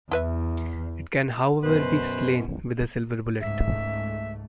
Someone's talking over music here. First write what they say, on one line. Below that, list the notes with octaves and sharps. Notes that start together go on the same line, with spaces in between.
It can however, be slain with a silver bullet.
E2 E4 B4 E5
F#2 B2 B4 C5
C#2 G#2 A3 E5